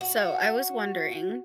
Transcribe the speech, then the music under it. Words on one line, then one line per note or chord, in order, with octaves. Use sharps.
So, I was wondering
F#4